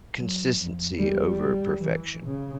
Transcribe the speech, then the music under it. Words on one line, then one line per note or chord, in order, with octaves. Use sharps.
consistency over perfection.
F#3
F2
E2 G3
G3
E3
C#3